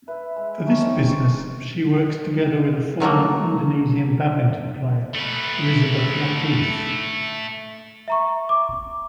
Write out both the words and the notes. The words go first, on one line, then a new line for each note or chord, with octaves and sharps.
For this business, she works together with a former Indonesian badminton player, Elizabeth Latief.
B4 E5
G#3
A3 C#4 D#4
D#3 C4 C#5
D#3 F#3 A3 A#3
A3 B4
E5 A#5 C#6
D6